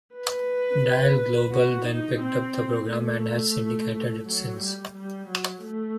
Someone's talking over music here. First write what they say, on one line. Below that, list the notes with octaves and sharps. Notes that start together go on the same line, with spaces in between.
Dial Global then picked up the program and has syndicated it since.
B4
F#4
D#4
C4
A3
F#3
G3
G3
F#3
A3